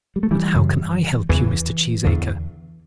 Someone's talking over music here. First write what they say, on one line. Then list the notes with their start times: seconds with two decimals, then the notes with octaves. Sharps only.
"But how can I help you, Mr. Cheesacre?"
0.16 G3
0.23 A3
0.31 E3 G3
0.54 F#2 C#3
1.29 E2 C#3 E3
2.05 E2 D3